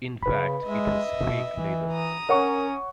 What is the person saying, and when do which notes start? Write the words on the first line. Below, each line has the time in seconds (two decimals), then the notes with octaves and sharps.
In fact it was fake leather.
0.23 C#3 B4 B5
0.64 G#3 D#5 E5
1.16 B2
1.56 E3
1.92 A#5 D#6
2.29 C#4 A#4 C#5 F#5 C#6